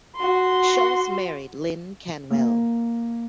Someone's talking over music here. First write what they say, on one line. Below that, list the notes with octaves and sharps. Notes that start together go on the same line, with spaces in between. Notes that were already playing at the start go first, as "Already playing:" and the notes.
Schulz married Lynne Canwell.
F#4 C6
A#3